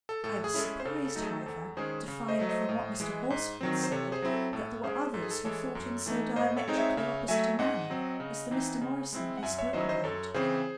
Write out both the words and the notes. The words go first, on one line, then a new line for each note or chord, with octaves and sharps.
I was surprised, however, to find from what Mr. Horsfall said, that there were others who thought in so diametrically opposite a manner, as the Mr. Morison he spoke about.
A4
A2 A4
G#4
G#3 C#4 E4 A4
G#4
C5
C#3 A4
A4
F#3 A3 D#4
G#4
A4
C5
E2 A4
D#3 G#3 C#4 G#4 C5
C#3
C5 D#5
F#3 A3
C5 D#5
A2
E3 G#3
G#2
D#3 F#3 C4
C5
C3 A4 C#5
G#4 C5
F#3 C4 E4
A4
A2 A4
G#3 C#4 G#4 C5
G#2 A4
G#4
A4
E3 G#3 A4 C#5
F#2
E3 A3 D#4
A2 C5 D#5
A4 C#5
G#3 C4 D#4
C#5 E5
C#3 C#5 E5
F#3 A3 E5 G#5
G#2 D#5 F#5
F#3 C4
C#3
E3 C4 D#4
C#3
G#3 C4 E4
F#5
F#2 E5 G#5
C#5 E5
D#3 F#3 C#4 E4 C5 D#5
C5 D#5
F#2 A4 C#5
C#3 E3 C4 G#4 C5